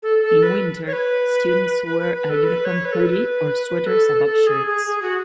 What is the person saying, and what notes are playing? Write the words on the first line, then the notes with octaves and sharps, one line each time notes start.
In winter students wear a uniform hoodie or sweaters above shirts.
A4
A4
B4
C#5
B4
B4
B4
B4
A4
B4
C#5
B4
A4
B4
B4
A4
A4
A4
G#4
G#4
G#4
F#4